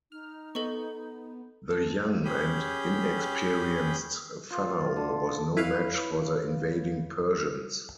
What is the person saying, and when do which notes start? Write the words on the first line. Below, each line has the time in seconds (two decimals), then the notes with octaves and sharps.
The young and inexperienced pharaoh was no match for the invading Persians.
0.12 D#4 F6
0.55 B3 A4 D#5 C#6
1.70 A5
2.25 C#4 G4 G#4 B5 G6
4.50 F4
4.96 D3
5.57 E4 B4 C#5 F5